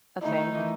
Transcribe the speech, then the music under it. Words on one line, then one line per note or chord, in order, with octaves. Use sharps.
a thing.
D#3 A3 D#4 E4
E3 A3 E4